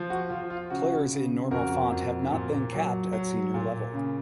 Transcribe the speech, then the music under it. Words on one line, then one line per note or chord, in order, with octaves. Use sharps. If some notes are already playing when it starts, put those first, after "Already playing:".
Players in normal font have not been capped at senior level.
Already playing: F3
F#4
F3 F4
F4
C#3 F#4
C#3
F2 F#4 A#4
F2
A#2
F#3
F#3
A#2
C#3